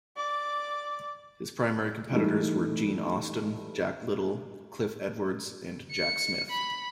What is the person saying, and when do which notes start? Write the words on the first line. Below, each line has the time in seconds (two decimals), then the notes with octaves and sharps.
His primary competitors were Gene Austin, Jack Little, Cliff Edwards and Jack Smith.
0.16 D5 D6
2.12 E3 G3 A3 D#4
5.92 C#7
6.51 B5